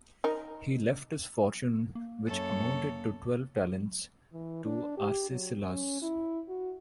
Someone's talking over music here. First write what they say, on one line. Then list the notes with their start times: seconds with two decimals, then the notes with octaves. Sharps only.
He left his fortune, which amounted to twelve talents, to Arcesilaus.
0.24 D#4 A#4
1.95 A#3
2.27 F#2 A4 C#5
4.33 E3
4.65 D4
4.97 G4
5.31 F#3
5.63 C#4
6.02 E4
6.48 F#4